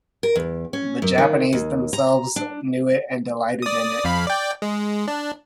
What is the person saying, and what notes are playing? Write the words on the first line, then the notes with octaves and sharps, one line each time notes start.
The Japanese themselves knew it and delighted in it.
A#4
E2
C#4
F#2
D#3
D#2
A#5
D4
D5 D#6
F2 F5 B5
D5 G5
G#3
D4